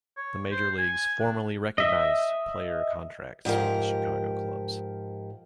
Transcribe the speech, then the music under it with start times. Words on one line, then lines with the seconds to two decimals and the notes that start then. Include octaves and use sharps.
The major leagues formally recognized player contracts with the Chicago clubs.
0.17 C#5
0.52 C5
0.78 G#5
1.20 D4
1.78 D#5 E5
3.45 G#2 F3 G4 A#4